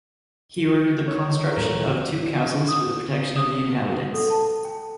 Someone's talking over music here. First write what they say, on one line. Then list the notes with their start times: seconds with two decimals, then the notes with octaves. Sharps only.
He ordered the construction of two castles for the protection of the inhabitants.
1.08 C#5
1.52 D#1 A#4
2.69 D#6
3.19 F5
3.36 D#6
3.70 B4
3.93 F#5
4.14 A4
4.30 A5
4.65 G5